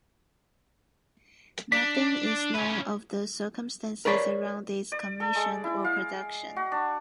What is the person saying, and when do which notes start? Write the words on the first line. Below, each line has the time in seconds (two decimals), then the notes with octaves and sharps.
Nothing is known of the circumstances around its commission or production.
1.72 D4 D5 B6
2.55 C#4 B4
4.05 A#4 B4 C#5 D5 A5 B5
4.92 D5
5.20 A4
5.36 G#3
5.64 E4
5.84 F5
6.56 F#4
6.72 D4